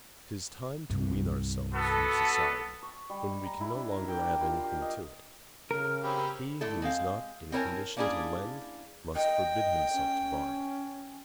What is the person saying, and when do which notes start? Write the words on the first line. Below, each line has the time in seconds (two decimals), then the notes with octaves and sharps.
'Tis time to wean ourselves from society when we can no longer add anything to it; he who is not in a condition to lend must forbid himself to borrow.
0.90 C2 G2
1.74 B3 F#4 A4
2.82 C#6
3.10 G3
3.46 A#5
3.61 E4
3.75 D4
3.91 A#4
4.08 G5
4.21 D6
4.41 F4
4.64 G4
4.82 D#5
5.71 C#3 A#4 F6
6.04 C4 C#4 G4 B5
6.61 D3 A3 E4 A4
6.82 G#3 C4 F5
7.52 C4 E4 A#4 C#5 G#5 A5
7.97 A#3 C#4 D4 E4 G#4
9.15 D#5 G5
9.94 C#4